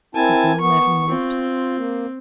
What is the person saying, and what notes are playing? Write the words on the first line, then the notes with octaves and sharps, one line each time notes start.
The girl never moved.
C4 E4 A#4 G#5 A5
B3 C#6
C4 F4
A#3